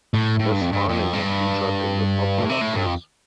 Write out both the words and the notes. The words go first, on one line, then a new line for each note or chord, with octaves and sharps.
This finding was featured in the popular press.
A2
A2
G2
F2
G2
F2
G2
A2
C3
A2
G2
F2